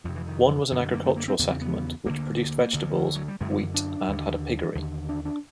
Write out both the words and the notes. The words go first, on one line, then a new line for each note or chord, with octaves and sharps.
One was an agricultural settlement, which produced vegetables, wheat, and had a piggery.
F2 C3 F3
E3
D#3
F#2 D3 D#3
G3
F#3
A#3
A3
A#3
C4
E2 C#3 B3
C4
B3
D2 D3 A#3
D2 D3
F#3
G3
F#2 D3 G#3
D4
D#2 D3
D#2 D3
D4
D4